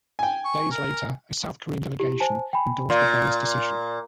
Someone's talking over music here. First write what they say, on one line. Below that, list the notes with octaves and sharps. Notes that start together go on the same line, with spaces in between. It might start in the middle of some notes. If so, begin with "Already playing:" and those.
Days later, a South Korean delegation endorsed the borough's decision.
G5 G#5
C#6
A#4
E4 G4
C5 G#5 A5
G5 G#5 B5
A#2 D5 F5 C6